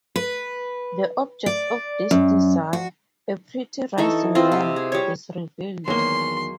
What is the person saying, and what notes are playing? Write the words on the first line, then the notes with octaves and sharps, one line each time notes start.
The object of his desire, "A pretty rising womb", is revealed.
B4
D5
F#2
F#4
E3 D#4 A4 C#6
C4 E4 F4 D#5
C3
G#4
G3 C#5
E2 D#3 F#3 G#3 A#3 C6 G7